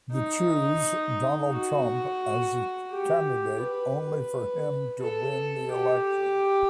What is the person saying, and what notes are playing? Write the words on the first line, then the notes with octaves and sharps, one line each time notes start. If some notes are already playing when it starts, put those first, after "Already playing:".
The choose Donald Trump as a candidate, only for him to win the election.
D#4
F#4
G4
B4
A4
G4